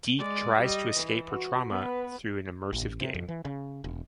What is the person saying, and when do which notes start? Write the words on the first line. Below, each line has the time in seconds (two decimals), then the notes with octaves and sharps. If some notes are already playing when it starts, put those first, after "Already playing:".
Dee tries to escape her trauma through an immersive game.
0.18 G#3 D5
0.59 G3 D#5
0.95 E3
1.28 F#4
1.69 B3 B4
2.73 A1
3.01 C3
3.14 F2
3.29 E3
3.45 C#3
3.84 E1